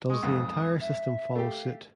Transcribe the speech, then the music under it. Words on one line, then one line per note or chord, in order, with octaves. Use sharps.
Does the entire system follow suit?
G#3 C#6 D#6
B1 F2 G#2
E5
A3 G4 F5